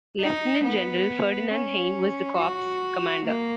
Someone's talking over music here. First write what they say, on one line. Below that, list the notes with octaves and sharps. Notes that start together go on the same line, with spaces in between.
Lieutenant General Ferdinand Heim was the corps commander.
D#4
B3
C#4
F#4
A#3